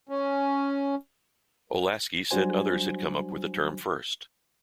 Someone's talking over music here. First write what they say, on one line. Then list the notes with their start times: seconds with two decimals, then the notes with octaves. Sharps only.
Olasky said others had come up with the term first.
0.09 C#4
2.31 F#3 G3 D4 F#4 C5 G#5